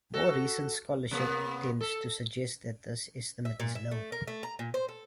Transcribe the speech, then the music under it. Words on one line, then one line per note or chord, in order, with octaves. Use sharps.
More recent scholarship tends to suggest that this estimate is low.
F#4 A4
C3 A#3 B3
A4
E5
A#2
E5
A3
A#4
A3
A#5
A#2
C5
A4